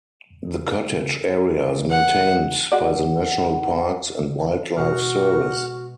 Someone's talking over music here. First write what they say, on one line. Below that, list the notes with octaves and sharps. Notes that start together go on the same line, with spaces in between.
The cottage area is maintained by the National Parks and Wildlife Service.
F#5
G#3 F#4 D5 F#5
B2 G#3 F#4 F#5 F6